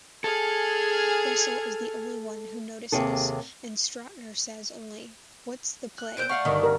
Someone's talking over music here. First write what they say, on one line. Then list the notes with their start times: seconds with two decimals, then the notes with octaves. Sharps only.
Russell is the only one who notices, and Stautner says only, What's the play?
0.24 G#4 A4 F6 G#6
2.92 D#2 C3 G#4 A4
5.98 F#6
6.17 A#2 C4 C5 G6 D7
6.29 A3 D5 F5 F#5 C#6
6.45 G1 D#3
6.63 G4 A#4